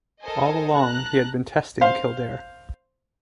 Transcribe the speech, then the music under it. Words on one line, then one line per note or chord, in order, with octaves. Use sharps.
All along, he had been testing Kildare.
A4 A#4 C5 D#5 G#5
A5 A#5 F#6
C5 F5